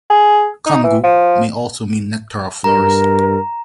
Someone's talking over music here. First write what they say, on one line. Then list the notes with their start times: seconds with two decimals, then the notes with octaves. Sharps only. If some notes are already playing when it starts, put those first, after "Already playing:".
Kongu may also mean nectar of flowers.
0.10 G#4
0.66 D#4
0.84 E3
1.03 F3
2.64 G2 A#4 A#5